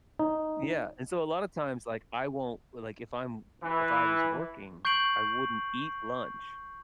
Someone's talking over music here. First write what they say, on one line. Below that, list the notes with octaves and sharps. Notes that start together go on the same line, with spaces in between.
Yeah, and so a lotta times, like, I won't l like, if I'm w if I was working, I wouldn't eat lunch
D#4
E3
C#6 G6 C7 D7 F#7